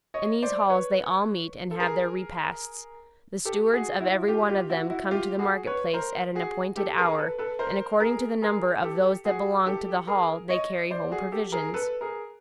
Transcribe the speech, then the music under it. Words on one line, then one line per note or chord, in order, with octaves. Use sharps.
In these halls they all meet and have their repasts; the stewards of every one of them come to the market-place at an appointed hour, and according to the number of those that belong to the hall they carry home provisions.
C#5 D#5
C5 D5
B4 C#5
A4
G#4 A#4
G4 A4
F#4 G#4
E4 F#4
F4 G4
F4 G4
E4 F#4
E4 F#4
F4 G4
F#4 G#4
B4 C#5
A#4 C5
F#4 G#4
G4 A4
G#4 A#4
A4 B4
A4 B4
A#4 C5
G#4 A#4
G#4 A#4
G4 A4
F#4 G#4
G4 A4
G#4 A#4
C#5 D#5
C5 D5
F#4 G#4
G4 A4
G#4 A#4
A4 B4
G#4 A#4